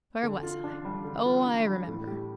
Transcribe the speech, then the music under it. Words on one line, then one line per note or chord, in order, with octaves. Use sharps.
Where was I? Oh, I remember!
D3
F4
D4
G3
D3
F4
D4
G3
A2
G4